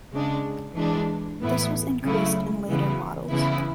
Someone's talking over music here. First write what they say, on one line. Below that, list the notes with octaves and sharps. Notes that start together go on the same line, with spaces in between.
This was increased in later models.
C#3 G#3 D4
E3 G#3 D4
A2 E3 B3 E4
C#3 F#3 A3 E4
C#3 E3 B3 E4
C#3 E3 B3 E4